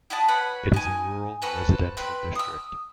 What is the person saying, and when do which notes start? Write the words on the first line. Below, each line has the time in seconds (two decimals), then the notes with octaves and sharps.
It is a rural, residential district.
0.10 E4 F#4 D#5 A5
0.28 B4 C#5 F#5 B5
0.74 D#4 G#5
1.42 F#4 A4 B4 C5
1.97 C4 B4
2.35 D#6 E6